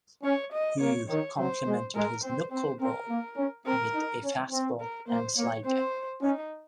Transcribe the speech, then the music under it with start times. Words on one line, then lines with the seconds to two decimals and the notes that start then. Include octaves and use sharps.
Hough complemented his knuckleball with a fastball and slider.
0.23 C#4 C#5
0.53 D#5
0.80 A#3 C#5
1.09 D#3 C#5
1.38 F#3 C5
1.66 G#3
1.95 G#3 A#4
2.24 C4 C5
2.51 C4 C5
2.80 C4 A#4
3.09 A#3
3.37 C#4
3.66 C4 A#4
3.95 D#4
4.23 C#4
4.51 C4
4.80 A#4
5.08 A#3 C5
5.37 A#3 C#5
5.65 C4 C5
6.22 C#4 D#4